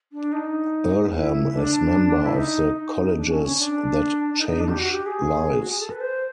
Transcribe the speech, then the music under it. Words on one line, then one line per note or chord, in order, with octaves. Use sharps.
Earlham is member of the Colleges That Change Lives.
D4
D#4
E4
D4
E4
D#4
D#4
D4
C#4
C#4
D4
D#4
D#4
D4
G4
F#4
G4
G#4
F#4
G#4
A4
B4
C5